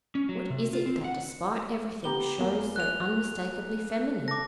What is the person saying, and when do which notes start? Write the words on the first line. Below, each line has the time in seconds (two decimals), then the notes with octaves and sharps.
What is it that despite everything shows so unmistakably feminine?
0.15 C#4
0.29 F#3
0.50 C3
0.73 F4
0.86 C4
1.04 F#5
2.04 B3 G4 A#5 G7
2.38 E2 A#3
2.76 F#6 F7
4.28 A4 D6 A#6